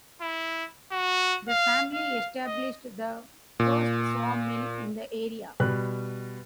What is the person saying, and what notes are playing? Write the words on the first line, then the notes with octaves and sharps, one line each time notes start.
The family established the first sawmill in the area.
E4
F#4
F5
F5
D#5
A#2
B2 G3 F#6